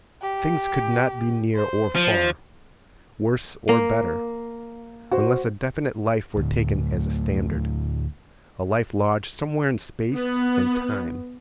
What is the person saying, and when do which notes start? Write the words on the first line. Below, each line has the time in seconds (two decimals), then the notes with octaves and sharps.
Things could not be near or far, worse or better, unless a definite life were taken as a standard, a life lodged somewhere in space and time.
0.22 G4
1.55 C5
1.96 F3
3.69 A#3
5.11 F#4 C5
6.37 D2 A2
10.15 B3